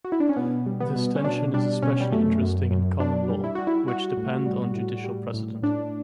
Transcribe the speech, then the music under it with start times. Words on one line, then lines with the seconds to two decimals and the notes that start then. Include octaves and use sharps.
This tension is especially interesting in common law, which depend on judicial precedent.
0.05 F#4
0.12 E4
0.20 D4
0.29 C#4
0.36 B2 B3
0.66 G3
0.80 B3
0.95 B2
1.16 C#4
1.24 B2 D4
1.54 G3 D4
1.82 B2 C#4
2.00 G3
2.12 F#2 A3
2.41 F#2
2.71 F#2
3.00 F#2 D4
3.30 G3
3.44 E4
3.55 G3 F#4
3.67 E4
3.87 G3 F#4
4.17 A2
4.46 G3
4.75 A2
5.04 G3
5.34 A2
5.62 A2 D4